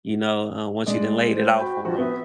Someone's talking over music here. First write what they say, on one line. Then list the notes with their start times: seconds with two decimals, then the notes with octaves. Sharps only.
you know, uh, once you done laid it out for 'em.
0.86 G#3 D5 D#5
1.34 C5
1.60 F#4 G5 B5
1.85 F3 F#4
1.98 B3 B4 E5